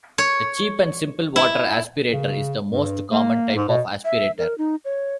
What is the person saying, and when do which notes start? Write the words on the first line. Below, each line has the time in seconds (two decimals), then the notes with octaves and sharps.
The cheap and simple water aspirator is the most common type of aspirator.
0.18 C#5
1.36 E4
2.13 C#3
2.72 G2
3.11 A#3
3.56 G#2
3.69 B2
4.05 E5
4.38 A#4
4.58 D#4
4.85 C#5